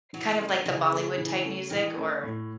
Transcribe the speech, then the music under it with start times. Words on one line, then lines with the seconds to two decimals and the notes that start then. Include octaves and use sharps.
Kind of like the Bollywood type music or
0.13 E3 F#3
0.31 D#3
0.40 A3 C#4
0.49 D#3
0.66 C#3 E3
0.91 A3 C#4
1.18 E3
1.45 A3 C#4
1.70 D#3 E3
1.97 A3 C#4
2.23 A2